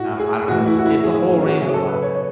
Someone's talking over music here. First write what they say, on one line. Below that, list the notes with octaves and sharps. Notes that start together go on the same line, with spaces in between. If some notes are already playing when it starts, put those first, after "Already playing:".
I do I don't know. It's just it's a whole rainbow out there,
Already playing: A2 E4 F#4
G#4
A2 E3 F#4
E4
F#4
E4
G#4
E4
C#4
G#4
F#4
C#3 F#3 G#4
A4
B4
C#5